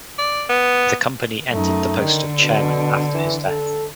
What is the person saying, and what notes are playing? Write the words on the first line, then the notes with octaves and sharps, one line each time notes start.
The company ended the post of chairman after his death.
D5
B3
F#2 A3 D#4
D3 D#3
B2
E3
A4